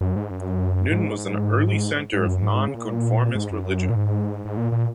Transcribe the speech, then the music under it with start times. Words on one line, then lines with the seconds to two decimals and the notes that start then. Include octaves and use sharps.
Newton was an early centre of Nonconformist religion.
0.01 F#2
0.16 G#2
0.31 F#2
0.91 G#2
2.13 G#2
2.27 F#2
2.42 G#2
2.68 C#3
2.74 A#2
3.35 G#2
3.51 F#2
3.90 A#2
3.96 G#2
4.45 G#2
4.57 A#2
4.72 A#2